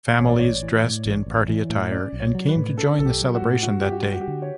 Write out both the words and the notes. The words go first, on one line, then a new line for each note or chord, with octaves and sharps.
Families dressed in party attire and came to join the celebration that day.
A1 C#5
D5
A1 C#5
E3
A2
A1
A1
E3
A2
C#4 D5
B1
C#5
F#3
B4
A2
C#4 A4
B1 A4
G4
F#3
F#4
A2
G2 F#4
G2 G4
F#4
G3
F#4
G4
D3
C#5